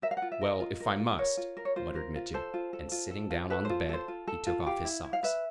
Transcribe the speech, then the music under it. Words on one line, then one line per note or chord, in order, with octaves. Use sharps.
"Well, if I must--" muttered Mitya, and sitting down on the bed, he took off his socks.
A#4 E5
F5
F#5
F4
E5
A#4 D#5
F4
A#4
F4
A#4 C#5
F4
A#4
C#5
F4 C5
A#4
F4
A4 C5
F4
A4
F4
A4
F4
A4 B4
C5
F4
A4 C5
F4
A4
F4
G4 F5
E4
E4
F5
B4 E5